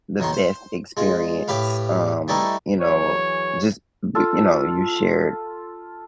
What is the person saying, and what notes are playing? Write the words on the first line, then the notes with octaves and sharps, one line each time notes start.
the best experience, um, you know, just b you know, you shared
B1 D#3 C6
C5
G#3 F4
A2 G4 B4 F5
E3 G3 A3 D#4
E3 F#3 G#4 C#5
F4 A4